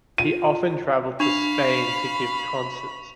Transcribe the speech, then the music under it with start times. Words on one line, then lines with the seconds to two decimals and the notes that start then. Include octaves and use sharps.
He often travelled to Spain to give concerts.
0.18 F4 D#7
1.20 D4 F5 B5 C#6 F7